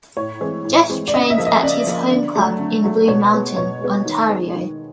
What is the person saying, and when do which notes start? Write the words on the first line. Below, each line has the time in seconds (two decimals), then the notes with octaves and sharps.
Jeff trains at his home club in Blue Mountain, Ontario.
0.17 A2 C#5
0.41 E3 G#3 C4
0.65 A2
0.89 E3 G#3 C4
1.08 D5
1.14 C#3 D#5
1.30 E5
1.38 F3 A#3
1.47 D#5
1.62 C#3 D5
1.87 F3 A#3
2.11 D3
2.36 F#3 A3
2.59 D3
2.84 F#3 A3
3.08 B2 C#5
3.33 G#3 B3
3.56 B2 C#5
3.81 G#3 B3
4.06 D#3
4.29 G#3 B3
4.54 D#3